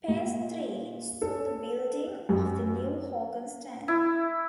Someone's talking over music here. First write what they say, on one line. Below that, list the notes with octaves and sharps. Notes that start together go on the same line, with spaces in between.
Phase Three saw the building of the new Hogan Stand.
A#2
A4
F#2
E4